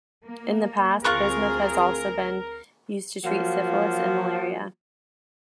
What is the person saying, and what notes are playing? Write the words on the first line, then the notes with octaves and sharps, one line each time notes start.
In the past, bismuth has also been used to treat syphilis and malaria.
A#3
D2 C4 F4 G#4 A#4 C#6 F#6
F3 F#3 A#3 F4 F#4